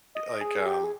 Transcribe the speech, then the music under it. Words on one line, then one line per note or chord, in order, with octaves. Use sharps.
like, um,
D#5
G#4
G4
G#4